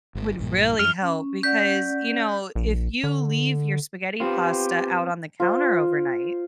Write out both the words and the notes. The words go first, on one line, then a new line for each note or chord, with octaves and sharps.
would really help because, you know, if you leave your spaghetti pasta out on the counter overnight
G1
A#1 G2 A#2
F#2 F6 F7
C#4
C#4 D5 F#5 G6 B6
A#1
D3
B3 C4 F4 G4
F4 C5